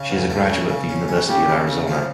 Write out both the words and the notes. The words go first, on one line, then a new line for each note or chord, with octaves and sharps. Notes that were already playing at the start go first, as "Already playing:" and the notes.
She is a graduate of the University of Arizona.
Already playing: C#3
E2
A3
C#3
C#3
C#4
C#4
C#3 G4
C#3
C#3
F3